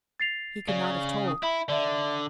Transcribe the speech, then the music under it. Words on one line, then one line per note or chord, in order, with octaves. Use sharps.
He could not have told.
A6 C7 F7
C#3 D5
D#6
E4 E5 B5
D3 D5 E5